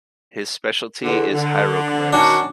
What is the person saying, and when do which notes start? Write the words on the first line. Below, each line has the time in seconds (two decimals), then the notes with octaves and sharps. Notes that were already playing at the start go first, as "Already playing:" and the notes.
His specialty is hieroglyphs.
1.02 E2 D3
1.33 D3
2.13 D#3 C#4 D4 F#4